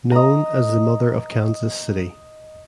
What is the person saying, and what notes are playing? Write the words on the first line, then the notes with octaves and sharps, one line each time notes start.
Known as the mother of Kansas City.
D#5 A#5